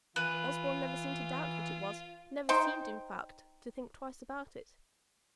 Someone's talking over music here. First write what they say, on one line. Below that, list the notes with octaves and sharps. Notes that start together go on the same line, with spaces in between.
Osborne never seemed to doubt that it was--never seemed, in fact, to think twice about it.
E3 F4 B4
D#4 C5 G5